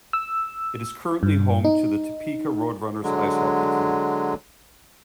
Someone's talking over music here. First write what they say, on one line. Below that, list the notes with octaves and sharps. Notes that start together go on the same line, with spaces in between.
It is currently home to the Topeka Roadrunners ice hockey team.
E6
G2
D#4
D3 F#3 G#3